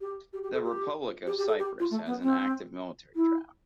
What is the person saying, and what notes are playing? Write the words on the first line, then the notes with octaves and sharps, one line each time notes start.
The Republic of Cyprus has an active military draft.
G4
G4
G4
A4
G4
G4
G4
A4
G4
F4
A3
B3
C4
E4